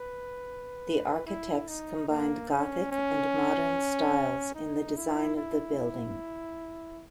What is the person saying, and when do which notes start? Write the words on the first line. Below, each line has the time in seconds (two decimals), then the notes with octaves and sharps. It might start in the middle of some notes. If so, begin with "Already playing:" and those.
The architects combined Gothic and modern styles in the design of the building.
Already playing: B4
1.27 E4
1.68 D#4
2.09 A#3
2.51 C#4
2.92 C#4
4.55 D#4
4.97 E4
5.37 E4